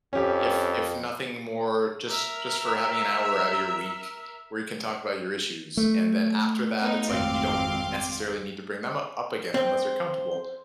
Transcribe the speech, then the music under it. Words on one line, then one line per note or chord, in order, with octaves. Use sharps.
If if nothing more, just just for having an hour outta your week, where you can talk about your issues and then after that, it's like you don't necessarily need to bring them u up again unless you're comfortable.
F2 C#4 G4
A#4 E5
A3
A#3 B3 D#4
G#1 F2 C4 F5 C6 D6
C4 C5